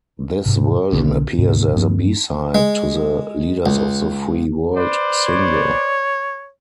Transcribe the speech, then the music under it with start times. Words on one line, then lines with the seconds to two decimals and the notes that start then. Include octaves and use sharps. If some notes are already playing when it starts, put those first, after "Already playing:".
This version appears as a B-side to the "Leaders of the Free World" single.
0.46 G#2 C3
0.92 B1 D3 A#3 C#4
1.39 D2 G#2 C3
1.76 G2 F3 B3 C#4
2.55 G#3
3.66 C#2
4.75 B4 C5 D5
5.26 C#5